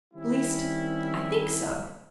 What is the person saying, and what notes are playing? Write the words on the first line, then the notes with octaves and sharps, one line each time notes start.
'At least, I think so.
D#3 G3 C4 C#4 E4